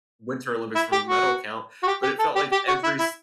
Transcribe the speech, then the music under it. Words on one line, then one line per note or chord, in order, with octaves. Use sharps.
winter Olympics from a medal count, but it felt like every s
E4
G4
F#4
F#4
G4
G4
A4
G4
G4
F#4
E4
E4